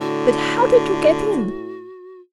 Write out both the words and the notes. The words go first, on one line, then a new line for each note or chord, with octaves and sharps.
"But how did you get in?"
A2 D3 F#4